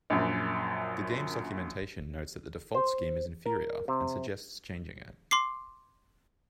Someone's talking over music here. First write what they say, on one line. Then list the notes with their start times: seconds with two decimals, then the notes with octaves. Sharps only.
The game's documentation notes that the default scheme is inferior, and suggests changing it.
0.10 A#1 F#2
2.75 C5
3.46 A#4
3.88 C3
5.31 C6 D6 C7